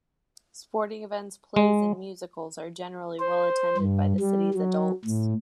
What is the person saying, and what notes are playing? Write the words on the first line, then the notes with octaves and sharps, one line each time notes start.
Sporting events, plays and musicals are generally well attended by the city's adults.
G#3
C5
G2
G3
F#3
A2